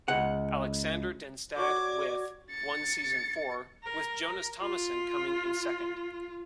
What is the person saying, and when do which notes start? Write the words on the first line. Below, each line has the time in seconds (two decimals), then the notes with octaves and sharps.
Aleksander Denstad With won season four, with Jonas Thomassen coming in second.
0.08 C#2 F#5
1.56 F#4 C#5 D5 D6 G#6
2.51 A6 C#7
3.83 A#4
4.59 F4